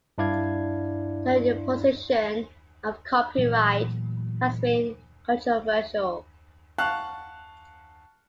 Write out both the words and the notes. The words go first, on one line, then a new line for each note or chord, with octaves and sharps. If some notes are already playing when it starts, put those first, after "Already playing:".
The imposition of copyright has been controversial.
G2 D4 E4 D5 F5 G#6
A#2 E3 F#3 A3
F5 F#5 A5 C#6 F#6